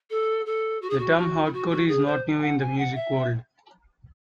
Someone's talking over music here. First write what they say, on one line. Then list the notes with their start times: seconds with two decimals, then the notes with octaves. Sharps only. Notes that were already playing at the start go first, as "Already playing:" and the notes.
The term hardcore is not new in the music world.
0.10 A4
0.45 A4
0.81 F#4
0.89 G#4
0.98 F#4
1.17 F#4
1.44 E4
1.53 F#4
1.70 F#4
1.88 G#4
2.05 C5
2.38 G#5
2.41 F#5
2.59 G#5
2.78 F#5
2.95 E5